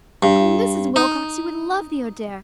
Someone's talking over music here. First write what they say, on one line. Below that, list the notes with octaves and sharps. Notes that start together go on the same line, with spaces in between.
Oh, Mrs. Wilcox, you would love the Oder!
G2
D#4